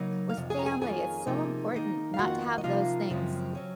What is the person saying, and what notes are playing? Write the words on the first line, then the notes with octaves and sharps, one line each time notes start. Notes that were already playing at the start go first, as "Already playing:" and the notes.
with family, it's so important not to have those things
Already playing: C#3 F#3 A#3 D#4
F5
F2 C3
G#4 G#5
A#5
G#4 G#5
F2 D#3 A#3 C#4 F4 G#4 G#5
C3 F3 A#3 D#4
D#3 A#3 D#4
F5
F2 D#3 A#3 F4 F#4 F#5
D#5
C3 F3 A#3 D#4 F4 F5
F#2 C#3 F3 G#3 C4
F#3 C#4